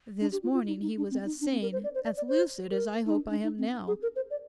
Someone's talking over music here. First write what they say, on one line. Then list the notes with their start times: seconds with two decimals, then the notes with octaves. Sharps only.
This morning he was as sane, as lucid as I hope I am now.
0.21 D4
0.32 G4
0.43 F4
0.54 F4
0.68 D#4
0.82 D#4
0.97 D4
1.11 C4
1.26 D#4
1.41 D4
1.52 C4
1.62 A#4
1.72 C5
1.84 D5
1.95 C5
2.05 D5
2.17 D5
2.28 C5
2.71 A#4
3.06 D#4
3.15 D4
3.30 D4
3.44 D#4
3.58 C4
3.88 G#4
4.02 A#4
4.16 C5
4.30 D5